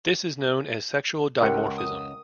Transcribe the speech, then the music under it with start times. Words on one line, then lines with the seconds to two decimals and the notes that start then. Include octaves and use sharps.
This is known as sexual dimorphism.
1.41 C#2 G4 A#4 F#5 G5
1.78 D#6